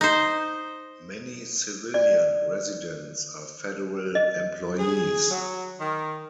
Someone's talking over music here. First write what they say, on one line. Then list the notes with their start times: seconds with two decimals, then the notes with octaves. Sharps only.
Many civilian residents are federal employees.
0.01 D#4 C5
1.94 D5
4.15 D#5
4.79 G#4
5.31 F#3
5.80 D#3